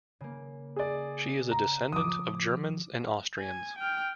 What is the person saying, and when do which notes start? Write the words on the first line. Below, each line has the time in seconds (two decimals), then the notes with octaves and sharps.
She is a descendant of Germans and Austrians.
0.21 C#3 A#3
0.76 G#4 D5
1.51 A#5
1.92 F3 D6 D#6
3.40 G#5
3.78 G5 F6